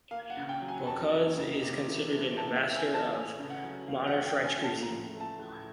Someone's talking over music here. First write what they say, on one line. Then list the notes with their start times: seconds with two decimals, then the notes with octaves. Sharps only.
Bocuse is considered an ambassador of modern French Cuisine.
0.11 A#3 F5
0.30 F#5
0.37 C#3
0.49 G5
0.61 F#3
0.68 G#5
0.87 F2 A5
1.12 A#3
1.37 C#3
1.62 C3
1.88 E3
2.12 A3
2.37 C3 A5
2.56 E5
2.63 C3
2.76 G#5
2.88 E3
2.94 A5
3.13 A3 G#5
3.39 C#3
3.50 F#5
3.63 F#3
3.88 E2 F5
4.07 F#5
4.14 A3
4.26 G5
4.39 C#3
4.45 G#5
4.64 A2 A5
4.83 A#5
4.89 F3
5.14 A3
5.20 A5
5.39 A2